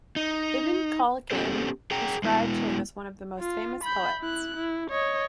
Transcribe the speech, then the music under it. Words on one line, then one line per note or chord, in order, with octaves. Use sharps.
Ibn Khallikan described him as one of the most famous poets.
D#4
B3 C#4 G4 A4 C5
G#4 F#5 G5 A#5
G#3 B3 E4
F4
B5 G6
E4 F#6
E4
C#5 D#5